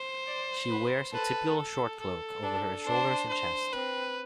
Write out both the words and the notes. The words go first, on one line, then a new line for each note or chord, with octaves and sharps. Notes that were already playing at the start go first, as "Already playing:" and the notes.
She wears a typical short cloak over her shoulders and chest.
Already playing: C5
D5
B4
A4 B4
A4
A4
D4
D4 C5
C5
C4 B4